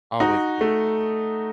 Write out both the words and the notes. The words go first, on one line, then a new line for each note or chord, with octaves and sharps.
always a good laugh.
D#4 F#4
A3